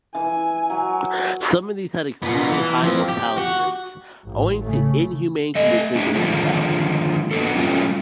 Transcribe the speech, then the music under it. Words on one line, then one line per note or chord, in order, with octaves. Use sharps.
Some of these had extremely high mortality rates, owing to inhumane conditions and brutality.
E3 G#5
F#3
A#2 B3
E3
F3 C4
G4
F#4
A1
C#3 A3
A3 D#5
A3 D4 G4 G#4
D3 D#3 F3 G#3 A#3
A#3 B3 D4 F#4 A4
F#3 G3 A3 C#4 F4